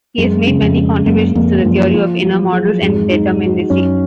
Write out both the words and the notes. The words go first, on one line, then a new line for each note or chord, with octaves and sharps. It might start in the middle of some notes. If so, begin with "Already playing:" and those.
He has made many contributions to the theory of inner models and determinacy.
F#2 G#3
C#3
F2
G#3
F#2 A#3
F2 A#3
F#2 F3
F4
F#3
G#4
F2 G#2 G#3
D#4
F#4
F#2 C#4